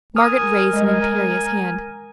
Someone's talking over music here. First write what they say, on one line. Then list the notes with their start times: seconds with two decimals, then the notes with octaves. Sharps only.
Margaret raised an imperious hand.
0.16 A#4 G#5 D#6 F6
0.73 G#3 D#5